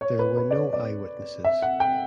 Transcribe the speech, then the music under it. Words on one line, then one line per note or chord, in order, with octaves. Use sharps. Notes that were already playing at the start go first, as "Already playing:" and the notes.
There were no eyewitnesses.
C#5
B4
B4
D5
C#5
D5
E5
F#5
G5